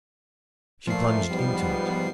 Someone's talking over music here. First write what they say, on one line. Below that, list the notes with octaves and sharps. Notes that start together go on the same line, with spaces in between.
She plunged into it.
A#2 F3 A3 C7
G#2 G3 B3